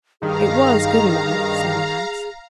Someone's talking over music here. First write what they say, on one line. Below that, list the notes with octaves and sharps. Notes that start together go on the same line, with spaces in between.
"It was good enough," said Max.
G2 D#3 G#4 F5 A#5